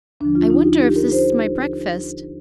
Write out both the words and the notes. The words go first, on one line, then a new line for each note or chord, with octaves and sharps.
"I wonder if this is my breakfast?"
D#2 D3 F3 D4
F4
D#4
G4
A#4
C5